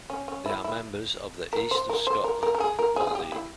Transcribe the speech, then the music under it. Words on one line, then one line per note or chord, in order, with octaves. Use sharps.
They are members of the East of Scotland Football League.
C#4
C#4
E4
E4
A#4
C5
A#4
C5
A#4
A#4
A#4
G#4
A#4
G#4
G#4
G4
E4